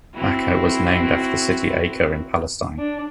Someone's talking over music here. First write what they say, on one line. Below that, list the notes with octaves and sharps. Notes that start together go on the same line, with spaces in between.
Acca was named after the city Acre in Palestine.
C4 E4 F#4
D4